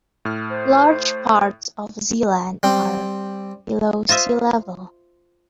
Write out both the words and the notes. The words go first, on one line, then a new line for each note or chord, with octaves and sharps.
Large parts of Zeeland are below sea level.
A2 F6
C5
G3 C4
F4 C5 D#5 E5